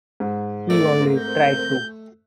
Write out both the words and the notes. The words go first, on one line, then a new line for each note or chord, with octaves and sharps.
He only tried to.
G#2
A3 C4 A#4 D5
G6